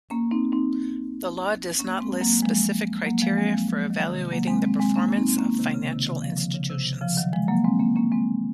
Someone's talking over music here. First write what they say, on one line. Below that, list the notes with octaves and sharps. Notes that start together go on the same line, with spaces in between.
The law does not list specific criteria for evaluating the performance of financial institutions.
A#3 C#4
C4 D#4
C4 D#4
A#3 C#4
G#3 C4
F#3 A#3
F3 G#3
F#3 A#3
F3 G#3
G#3 C4
F#3 A#3
F3 G#3
D#3 F#3
C3 D#3
F#3 A#3
G#3 C4
G#3 C4
G#3 C4
A#3 C#4
C4 D#4
C4
A#3 C#4
C3 D#3
C#3
C3 D#3
C3 D#3
C#3 F3
C#3 F3
C#3
C3
C#3 F3
D#3 F#3
F3 G#3
F#3 A#3
G#3 C4
A#3 C#4
A#3 C#4
G#3 C4